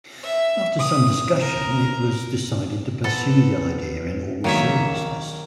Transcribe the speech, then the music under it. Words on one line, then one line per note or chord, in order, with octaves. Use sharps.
After some discussion it was decided to pursue the idea in all seriousness.
E5
D#6
A#4
B3 A4 B4 C5
A#1 D#3 F#3 A#3 C#5 E5